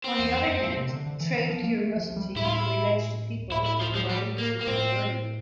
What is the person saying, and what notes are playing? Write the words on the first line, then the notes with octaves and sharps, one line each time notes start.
On the other hand, trait curiosity relates to people who are interested in learning.
C4
E2
F2
F2
A#2
C3
D3
D3
E3
E3
F3
A#3
A3
F3
G3
A2 E4
F4
E4
A2 E4
E4
F3
F3
G3
A#3
A#3
A2 C4